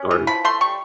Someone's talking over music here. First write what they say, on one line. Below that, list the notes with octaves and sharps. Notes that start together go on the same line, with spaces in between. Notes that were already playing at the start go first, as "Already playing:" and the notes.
are g
Already playing: C#4
E3
F3 B5
A3 C6
G3 C#6